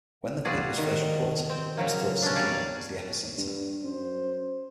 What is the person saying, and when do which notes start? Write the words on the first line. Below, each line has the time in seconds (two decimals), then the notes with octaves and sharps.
When the quake was first reported, it was thought Sycamore was the epicenter.
0.45 G3 F4 F#4 G#4 D5
0.77 D#3
1.50 C4
1.77 C#3 F#3 A#3
2.22 C#4 D4
2.36 G3 C#5 D5 F5
3.37 G2
3.84 F#2 C5